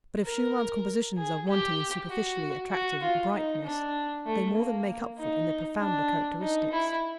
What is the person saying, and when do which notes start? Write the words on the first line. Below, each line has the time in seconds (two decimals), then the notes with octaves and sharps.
But if Schumann's compositions are wanting in superficially attractive brightness, they more than make up for it in their profounder characteristics.
0.25 A#4
1.17 G#4
1.48 G4
2.10 F#4
2.72 F#4
3.02 F4
3.33 D#4
3.64 D4
4.26 A3
4.56 A#3
5.18 D#4
5.80 D4
6.42 D#4
6.73 E4